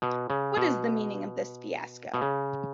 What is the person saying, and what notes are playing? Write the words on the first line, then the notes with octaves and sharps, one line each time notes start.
What is the meaning of this fiasco?
B2
C#3
B2
B2
C#3